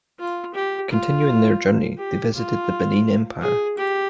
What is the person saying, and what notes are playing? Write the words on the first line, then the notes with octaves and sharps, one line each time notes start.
Continuing their journey, they visited the Benin Empire.
F4
G4
F4
G4
F4
G#4
G4